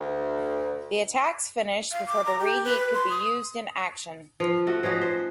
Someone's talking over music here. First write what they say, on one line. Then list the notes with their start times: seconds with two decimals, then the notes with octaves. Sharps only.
The attacks finished before the reheat could be used in action.
0.01 D2
1.92 F5
2.07 D6
2.26 A#5
2.39 G4
2.64 B4
2.94 C6
3.10 D#6
4.40 F3
4.67 A3 F#4
4.83 F3 C#4 D#4 F#4
5.01 C5